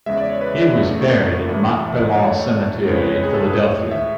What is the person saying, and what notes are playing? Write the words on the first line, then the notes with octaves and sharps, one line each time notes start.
He was buried at Machpelah Cemetery in Philadelphia.
E2 C#3 G#3 E5
D5
C#5
B4
D5
E2 C#3 F#3 A3
F#2 E3 A3
G#2 F#3 A3 C#5
C#2 C#3 G#3 C#5
B4
C#5
G#4
A4
B4
A2 G#3 C#5
E5